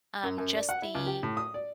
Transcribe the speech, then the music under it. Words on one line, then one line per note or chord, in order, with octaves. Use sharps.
um, just the,
F#2
F#2
D5
F#5
E4
C#2
G4
A2
D#6
D5